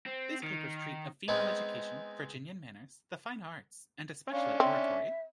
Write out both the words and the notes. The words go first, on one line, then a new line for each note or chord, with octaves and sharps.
These papers treat of female education, Virginian manners, the fine arts, and especially oratory.
C4
D#3
G#3 B3 C4 D#4 G#4
C#4 D4 F5
C4 E5